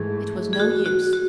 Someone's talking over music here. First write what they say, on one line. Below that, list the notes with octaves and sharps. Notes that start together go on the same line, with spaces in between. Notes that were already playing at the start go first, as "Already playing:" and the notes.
It was no use.
Already playing: G#2 E3 A3 G#4
G#4
F#4
F#4
F#4